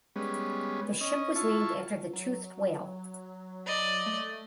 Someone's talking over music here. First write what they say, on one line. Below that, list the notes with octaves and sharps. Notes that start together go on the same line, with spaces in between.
The ship was named after the toothed whale.
G3 G#3 B3 C#4
C#4 D#5
E4 F4 A5 C#6
F#3
D5 D#5
A3